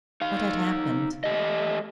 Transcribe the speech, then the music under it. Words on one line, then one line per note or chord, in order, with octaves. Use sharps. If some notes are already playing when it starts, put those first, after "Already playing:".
What had happened?
D#4 F5
A3 G4 D#5